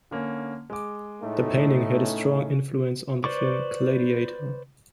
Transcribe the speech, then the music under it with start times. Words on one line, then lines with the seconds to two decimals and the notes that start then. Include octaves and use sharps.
The painting had a strong influence on the film "Gladiator".
0.11 D3 A#3 C#4
0.70 G#3 D6
1.23 A2 A3 D#4
2.03 C#4
3.24 B4 C5 D5 C#6 D6